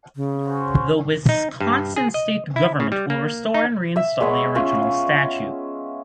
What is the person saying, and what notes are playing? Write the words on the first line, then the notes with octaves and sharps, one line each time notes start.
The Wisconsin state government will restore and reinstall the original statue.
C#3
C#4 F#4 C5
D#4
G2
G#4
D#5
E4
C#3
G3
A#3
D#4
E5 E6
G#3 B3 C#5 G#5
C#4 F4 E5